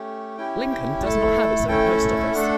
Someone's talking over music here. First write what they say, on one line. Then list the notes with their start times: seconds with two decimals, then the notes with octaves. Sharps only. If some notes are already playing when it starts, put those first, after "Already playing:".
Lincoln does not have its own post office.
Already playing: A3 C#4 G4
0.37 C#4 E4 G4 G5
0.70 G5
1.02 A3 E4 A4 A5
1.68 A3 C#4 E4 A4 G5
2.34 A3 D4 A4 F#5